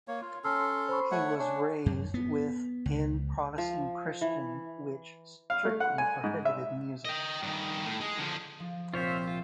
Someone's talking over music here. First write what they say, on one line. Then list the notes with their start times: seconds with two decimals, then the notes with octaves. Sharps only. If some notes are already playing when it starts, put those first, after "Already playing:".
He was raised with in Protestant Christian which strictly prohibited music.
0.08 A#3 C#5
0.22 F4
0.44 C#4 A4 A#5 C6 E6 F6
0.88 C5 B5 C#6
1.11 A3 C#5 F#5
1.39 D4 C#5 G#5 C#6
1.86 F#2
2.14 B3
2.86 C#2
3.58 F3
4.21 E3
5.50 F5
5.65 A3
5.80 F#5
5.98 G#5
6.24 G#2
6.45 E5
7.05 D#5 G5
7.43 G2 D#3
7.86 A2
8.00 G#3
8.18 D3 F3
8.60 F3
8.94 C2 A#2 C4 F4 C5 C#5 E5
9.28 F4